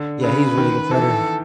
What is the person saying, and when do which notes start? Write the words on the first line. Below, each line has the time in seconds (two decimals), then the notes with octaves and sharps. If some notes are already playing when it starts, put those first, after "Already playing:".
Yeah, he's a really good fighter.
Already playing: D3
0.23 C#3 B4
0.57 D#3
0.91 E3 A4